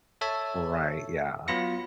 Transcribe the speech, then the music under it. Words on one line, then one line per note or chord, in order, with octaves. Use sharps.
Right. Yeah.
A4 C#5 E5 A5
F#3 B3 F4 B5 A#6 C#7